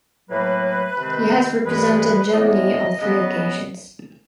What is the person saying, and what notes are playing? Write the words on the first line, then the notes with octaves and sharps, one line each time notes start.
He has represented Germany on three occasions.
A2 F#3 A#3 B4
C3 D#3 G#3 C4
G2 E3 G#3 B4
A2 E3 G#3 B3 D#5
D5
D#5
C#3 F#3 B3